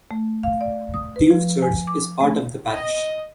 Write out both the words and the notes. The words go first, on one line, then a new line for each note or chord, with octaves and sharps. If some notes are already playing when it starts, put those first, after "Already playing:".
Tuve Church is part of the parish.
A3
F5
D5
D#6
B4
F3
G#5
D6
A3
D#5